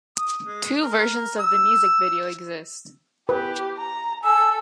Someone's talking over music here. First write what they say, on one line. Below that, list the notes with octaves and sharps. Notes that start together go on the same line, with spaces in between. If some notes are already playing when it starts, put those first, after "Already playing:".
Two versions of the music video exist.
D#6
G#3
A#4
E6
G4 B4
A#5
A4 G#5 E6